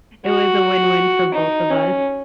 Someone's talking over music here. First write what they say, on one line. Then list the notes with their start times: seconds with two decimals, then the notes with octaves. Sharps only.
It was a win-win for both of us.
0.26 F#4
1.34 D#4
1.70 C#4